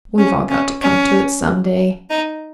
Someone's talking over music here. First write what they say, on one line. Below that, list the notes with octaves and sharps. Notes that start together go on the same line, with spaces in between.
We've all got to come to it some day.
C#4
C#4
C#4
D#4